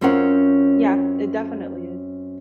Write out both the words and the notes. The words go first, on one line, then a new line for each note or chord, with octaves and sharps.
Yeah. It definitely is.
F#2 C4 C#4 F4 A#4 F#5